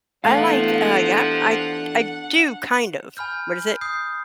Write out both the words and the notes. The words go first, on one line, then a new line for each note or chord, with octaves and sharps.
I like, uh yep. I I do kind of. What is it?
E2 C3 F3 A3 D4 F5 F#5
G#5 B5 F6 G6
D#6 G6 C7